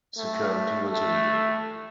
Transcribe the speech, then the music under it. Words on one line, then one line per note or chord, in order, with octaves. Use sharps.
Security was needed.
A3
A3